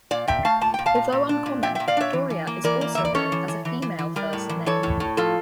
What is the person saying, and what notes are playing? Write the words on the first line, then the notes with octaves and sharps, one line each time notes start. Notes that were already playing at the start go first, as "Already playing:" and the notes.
Although uncommon, Doria is also known as a female first name.
A#2 D5 F5
A#2 E5 G5
A3 F5 A5
A#2 A5
A#2 G5
F5 A5
A#2
A#2
D4
A#2
A#2 E5 G5
A#2 E5 G5
D5 F5
D4 C#5 E5
E3
E3
A#3
E3 A#4 D5
A#3
E3 E5
D5
C#4 A4 C#5
E3
E3
E3
E3
E3
G3 A#4 D5
A2
E3
E3 A4 C#5
A2
A2
F3 F4 A4